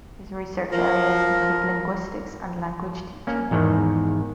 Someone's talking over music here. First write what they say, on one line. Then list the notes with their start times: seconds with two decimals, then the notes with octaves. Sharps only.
His research areas include linguistics and language teaching.
0.72 F3 A#4
3.27 A#3 C#4
3.51 E2 G#2 D#3